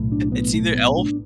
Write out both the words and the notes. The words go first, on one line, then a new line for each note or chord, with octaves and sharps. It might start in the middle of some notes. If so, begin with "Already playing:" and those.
It's either Elf
Already playing: B1 A2
D4
B3
A3
B3
D4